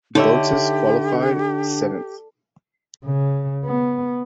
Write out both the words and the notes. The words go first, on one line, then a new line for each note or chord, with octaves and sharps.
Bottas qualified seventh.
D3 D#4 G4 C#5 E5
C#3
B3